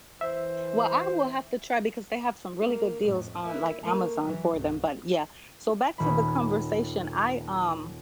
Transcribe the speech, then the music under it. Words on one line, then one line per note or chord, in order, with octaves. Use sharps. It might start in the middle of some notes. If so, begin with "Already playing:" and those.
Well, I will have to try because they have some really good deals on, like, Amazon for them, but yeah, so back to the conversation, I um,
E3 C5 E5
A#3
F2 A2
A#3 E4
A3 A#3
E3 F#3
C2 G2
D#1 B5